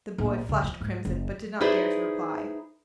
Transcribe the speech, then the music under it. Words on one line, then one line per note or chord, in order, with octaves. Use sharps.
The boy flushed crimson but did not dare to reply.
A#1 B3
C#3 F#3
F3
G#2
F#1
D#4 E4 G#4 B4 C5 D5